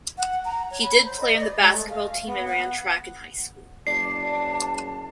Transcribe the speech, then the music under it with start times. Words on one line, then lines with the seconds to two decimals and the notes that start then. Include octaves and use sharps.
He did play on the basketball team and ran track in high school.
0.18 F#5
0.45 A#5
0.71 C#5
0.82 B5
1.05 C5
1.21 D#5
1.40 D5
1.59 G#3
1.73 A3
1.90 F5
2.26 B3
2.48 F#5
3.87 F#1 D5 A5 C7